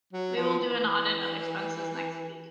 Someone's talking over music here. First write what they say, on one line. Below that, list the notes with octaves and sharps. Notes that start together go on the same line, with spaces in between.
We will do an audit of expenses next week.
F#3
F3
E3